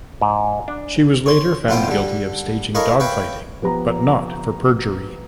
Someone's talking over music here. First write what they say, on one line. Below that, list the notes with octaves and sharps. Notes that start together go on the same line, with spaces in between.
She was later found guilty of staging dogfighting but not for perjury.
G#2
D4
C#5 C6
F2 B2 E4 F4 C5 G5
D3 G3
E4 A4 A#4 C#5 D#5 F5
B4 C#5 E5 F5 G5
F3 B3 G4 A#5